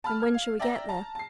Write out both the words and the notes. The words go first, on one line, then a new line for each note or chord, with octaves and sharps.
"And when shall we get there?"
A5 B5 F6
F6 G#6
F5
D5 E5 G5 A#5 A#6
A5 A#5
A5 C7